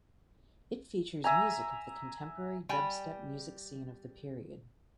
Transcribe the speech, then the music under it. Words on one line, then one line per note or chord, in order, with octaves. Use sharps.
It features music of the contemporary dubstep music scene of the period.
E5 G#5 A#5
G3 G5 G#5